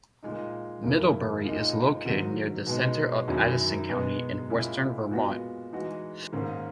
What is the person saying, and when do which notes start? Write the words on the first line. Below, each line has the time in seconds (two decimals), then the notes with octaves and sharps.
Middlebury is located near the center of Addison County in western Vermont.
0.23 A#2 G#3 D#4
0.84 F#2 D#3 A#3 E4
1.44 A#2 G#3 D#4
2.05 G#2 D#3 F#3
2.67 B2 G#3 D#4
3.28 F#2 D#3 F#3 C#4 E4
3.89 B2 G#3 B3 F#4
4.49 A#2 G#3 C#4 E4
5.10 A#2 G#3 B3 F#4
5.73 E3 G#3 D#4 F#4
6.33 G#2 D#3 A#3 C#4